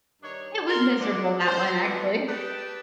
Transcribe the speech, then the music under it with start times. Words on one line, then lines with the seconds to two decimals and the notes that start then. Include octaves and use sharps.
It was miserable that one, actually.
0.22 G2 D#3 D4 D#4 C#5
0.68 A#4 C6
0.99 F#2 D3 A3 D4
1.45 C5
1.82 B2 D3 E3 F3 B3 C4
2.27 G4 G#4 B4 G5 A5